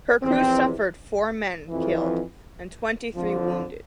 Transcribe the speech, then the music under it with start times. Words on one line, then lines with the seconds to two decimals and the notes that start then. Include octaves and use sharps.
Her crew suffered four men killed and twenty-three wounded.
0.23 E2 C3 F3 C4
1.69 F2 E3
3.15 F2 D3 F3